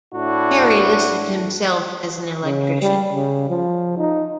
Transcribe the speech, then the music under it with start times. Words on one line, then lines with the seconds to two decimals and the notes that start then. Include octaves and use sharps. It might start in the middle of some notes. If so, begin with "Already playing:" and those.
Perry listed himself as an electrician.
0.13 A2 D4 E4 F#4
2.44 C#3
2.82 G3
3.13 C#3
3.49 F3
3.98 D#4